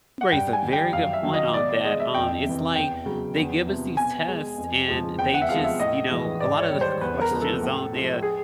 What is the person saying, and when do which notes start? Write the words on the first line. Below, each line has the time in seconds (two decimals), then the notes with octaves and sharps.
You raise a very good point on that, um, it's, like, they give us these tests and they just, you know, a lot of the questions on there,
0.21 F#5
0.32 G2 G5
0.53 G#5
0.63 D#3 G3
0.73 G5
0.93 F#2 F5
1.13 E5
1.23 D#3 F#3
1.34 D#5
1.54 B2 D5
1.69 D5
1.84 G#3 D#5
2.00 E5
2.14 F2 G5
2.45 C3 E3
2.76 E2 G5
3.06 C#3 F#3
3.36 E2
3.67 C3 F3
3.97 B2 G#5
4.28 G#3
4.58 F2
4.88 C#3 F3 G#3
5.19 E2 G5
5.34 F#5
5.42 E5
5.49 C3 F3 G#3 F5
5.64 E5
5.79 A2 D#5
6.10 E3 G#3
6.40 G#2 D5
6.60 C#5
6.71 D#3 G3
6.81 C5
7.01 E2 B4
7.21 A#4
7.31 C#3 F3 G#3
7.42 A4
7.62 A2
7.92 F3 G#3
8.23 G#4